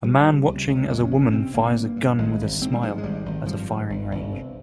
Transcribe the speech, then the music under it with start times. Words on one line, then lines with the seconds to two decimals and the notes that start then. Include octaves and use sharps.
A man watching as a woman fires a gun with a smile at a firing range.
0.04 C3 G3
0.27 C3
0.48 C#2
0.68 C#2
0.90 F2 G#3
1.05 C#4
1.11 G1
1.18 C#4
1.32 C3 C4
1.54 G1 A#3
1.76 G2
1.96 G2
2.18 G#1 G#3
2.40 G#1
2.61 G#2 C4
2.72 G3
2.82 G#2 F3
2.98 G#3
3.03 G#1 G3
3.26 G#1
3.46 G2 F3
3.68 G2
3.90 G1
4.11 G1
4.33 C3